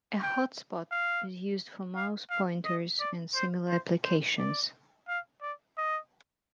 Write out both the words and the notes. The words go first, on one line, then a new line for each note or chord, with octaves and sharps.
A "hotspot" is used for mouse pointers and similar applications.
G5
F5
F5
F5
D#5
D5
C5
C5
C5
D5
F5
D5
D#5